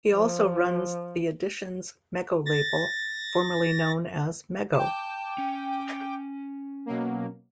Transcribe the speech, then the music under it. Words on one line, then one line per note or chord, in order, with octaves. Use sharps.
He also runs the Editions Mego label, formerly known as Mego.
F3
A6 A#6
G5 A5 D6
C#4
B2 F#3 A#3